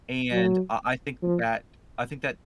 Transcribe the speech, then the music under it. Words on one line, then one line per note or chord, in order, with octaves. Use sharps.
and uh, I think that I think that
F#3
F3